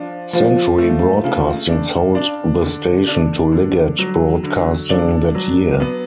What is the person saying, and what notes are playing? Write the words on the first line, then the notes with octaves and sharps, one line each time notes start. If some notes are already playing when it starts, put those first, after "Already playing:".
Century Broadcasting sold the station to Liggett Broadcasting that year.
Already playing: F3 D4
F3
A3
C#3
D4
D4
D3
D4
D3
F#3
D3
D4
F#3
B3